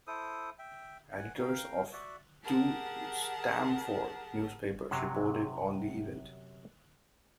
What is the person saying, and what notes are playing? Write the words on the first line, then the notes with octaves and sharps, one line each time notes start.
Editors of two Stamford newspapers reported on the event.
E4 A4 C5 D#6
E5 G5
F#5 G#5
A#4 F5 G5
F#4 D5 E5 F#5
G4 G#4 A#4 F#5 A5
F#2 C3 F#3